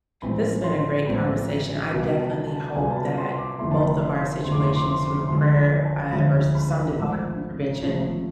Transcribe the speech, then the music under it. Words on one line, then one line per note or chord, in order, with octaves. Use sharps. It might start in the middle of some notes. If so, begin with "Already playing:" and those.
This has been a great conversation, I definitely hope that both of our situations through prayer, a or some divine intervention
A1 A2 F3 G#3 C4 B5
C6
A1 A2 F3 G#3 C4 B5
C2 B2 B3 F4
A5
A5
C2 B2 B3 F4 G#5
A5
B5
C6
D6
F1 F2 D3 A3 E4 C6
A5
B5
C6
F1 F2 D3 A3 E4 C6
D6
C6
D6
C6
D6
C6
D6
C6
E1 D2 D3 F3 G#3 C6
B5
A5
E1 D2 D3 F3 G#3 B5
B5
G#1 G#2 F3 A3
G#1 G#2 F3 A3